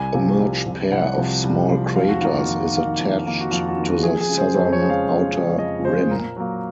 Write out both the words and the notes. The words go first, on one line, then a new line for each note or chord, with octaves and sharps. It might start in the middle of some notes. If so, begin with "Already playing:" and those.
A merged pair of small craters is attached to the southern outer rim.
Already playing: C2 G#5
C3 F3
C2
C3 F3
C2 F#5
C3 F3
C2
C3 F3
F2 F5
F#4
D#3 A#3 F4
F#4
F2 F4
D#3 A#3
F2
D#3 A#3
F#4
F2 F4
F#4
D#3 A#3
F#4
F2 G#4
G#4
C#3 G#3
C5
F2 C5
C#5
C#3 G#3
F5
F2
C#3 G#3
F2 D#5
C#3 G#3 C5
A#2 A#4
F#3 A#3